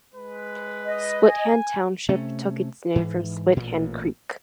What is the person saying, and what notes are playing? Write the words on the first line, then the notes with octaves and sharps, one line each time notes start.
Splithand Township took its name from Split Hand Creek.
G#3 B4
D#5
G#5
C3 A3 C#4
G#2 E3
A1 A#2